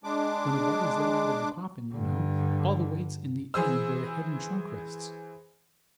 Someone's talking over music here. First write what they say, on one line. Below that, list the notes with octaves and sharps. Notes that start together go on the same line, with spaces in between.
When a body's laid out in a coffin, you know, all the weight's in the end where the head and trunk rest.
G#3 D4 D6
G2 D3
E3 G#4 C5 E6